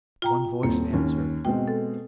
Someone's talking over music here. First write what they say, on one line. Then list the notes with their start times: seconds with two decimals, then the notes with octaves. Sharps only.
One voice answered.
0.22 F4 G5 A#5
0.63 D#1 A#3 C4
0.93 D#2 C#4
1.45 B2 G#3 C4 G5
1.68 A4